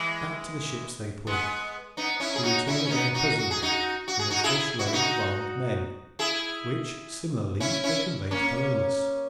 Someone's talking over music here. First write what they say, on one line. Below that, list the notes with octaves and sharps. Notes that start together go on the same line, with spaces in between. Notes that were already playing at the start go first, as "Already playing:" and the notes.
Back to the ships they pulled, to return again presently with a fresh load of armed men, which similarly they conveyed to Palomas.
Already playing: E3 G#3
G#3 B3
B3 D#4
C#4 E4
G#4
D#4 F#4
C#4 E4
C#4
B3 D#4
D#4 F#4
F#4
G#4
D#4 F#4
F#4
G#4
D#4 F#4
E4 G#4
F#4
E4
D#4 F#4
E4 G#4
C#4 E4
C#4 E4
A#3 C#4